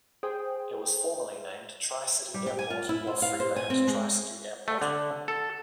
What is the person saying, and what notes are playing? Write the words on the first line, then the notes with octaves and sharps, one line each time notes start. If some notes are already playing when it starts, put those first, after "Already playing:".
It was formerly named Tri City Airport or Freeland Tri-City Airport.
G#4 C5 G5
G3
G4
G#5
F4
E4
C5
F5
C5
G#5
C4
G#3
A3
D3
A4